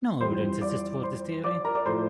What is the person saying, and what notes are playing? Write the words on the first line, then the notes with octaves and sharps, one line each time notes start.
No evidence exists for this theory.
F2 E3 G3 C5 C6
D5 D6
C5 C6
D5 D6
A#4 A#5
D5 D6
A2 F3 A3 C5 C6